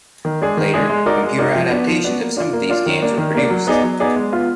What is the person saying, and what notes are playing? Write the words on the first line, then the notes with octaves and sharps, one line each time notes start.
Later, computer adaptations of some of these games were produced.
D#3
G#3 D4 G#4
D#3
G#3 D4 G#4
G#3
D#4 F#4 A#4 D5
G#3
D#4 F#4 A#4 D5
F3
B3 D4 F#4
F3
B3 D4 F#4
A#3
D4 F4
A#3
D4 F4
D#3
A#3 D4
D#3
A#3 D4
F#3
B3 D#4 G#4 D5
F#3
B3 D#4 G#4 D5
G#3
B3 F4